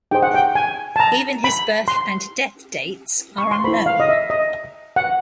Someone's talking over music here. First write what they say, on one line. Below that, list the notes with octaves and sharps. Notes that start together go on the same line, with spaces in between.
Even his birth and death dates are unknown.
D#4 G#4 C5 G5
F#5
G5
G#5
A5
A#5
B5
C6
C#6
C6
E4 A4 C5 B5
F5
D#5
E5
D#5
F#5